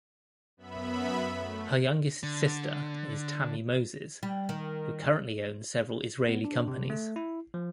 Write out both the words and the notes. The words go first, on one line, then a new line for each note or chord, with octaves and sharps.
Her youngest sister is Tammy Mozes, who currently owns several Israeli companies.
F#2 B3 E5 B5
A3
D3
G3
D#3
B3
D4
C3
A3
E4
F3